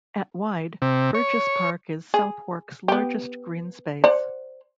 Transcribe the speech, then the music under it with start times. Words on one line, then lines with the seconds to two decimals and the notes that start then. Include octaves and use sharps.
At wide, Burgess Park is Southwark's largest green space.
0.82 C3
1.14 C#5
2.14 G#4
2.88 B3 G4
4.04 C5 D5 F#5